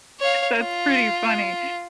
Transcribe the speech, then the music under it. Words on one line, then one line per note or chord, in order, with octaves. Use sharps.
That's pretty funny.
C#5 F5
F4